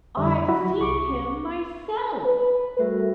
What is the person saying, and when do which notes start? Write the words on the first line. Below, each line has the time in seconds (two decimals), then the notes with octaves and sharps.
"I've seen him myself!"
0.17 F2 D3 G3 E5
0.48 F#3 E4 F#4 B5
0.80 C2 C#6 D6
2.26 B4
2.79 G3 A3 F#4 A#4